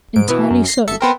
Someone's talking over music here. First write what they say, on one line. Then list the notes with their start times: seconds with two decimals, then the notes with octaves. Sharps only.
"Entirely so."
0.16 G#2 D7
0.29 B2 E3 B3
0.50 F#2
0.65 A#6 C7
0.88 G1 A4 E5 C#7
1.01 B3 C4 A#4